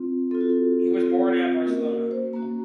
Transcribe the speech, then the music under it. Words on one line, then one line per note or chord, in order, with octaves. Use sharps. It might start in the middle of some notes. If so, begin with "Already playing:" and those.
He was born at Barcelona.
Already playing: C4 F4
C4 F4 A4
F#4
A4
C4 F4
A#3 C#4 F#4 A#4
A#4
C5
A#3 C#4 F#4 A#5